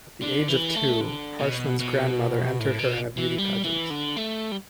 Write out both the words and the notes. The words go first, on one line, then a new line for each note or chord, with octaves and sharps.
At the age of two, Harshman's grandmother entered her in a beauty pageant.
D3
E3
A3
D3
B2
B2
A2
B2
E3
G3
E3
D3
A3
G3